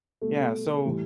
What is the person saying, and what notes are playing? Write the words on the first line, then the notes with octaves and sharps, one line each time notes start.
Yeah, so
B2 G3 A3
A2 E3 G3